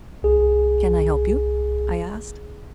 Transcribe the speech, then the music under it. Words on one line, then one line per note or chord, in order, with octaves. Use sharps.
"Can I help you?" I asked.
C2 G#4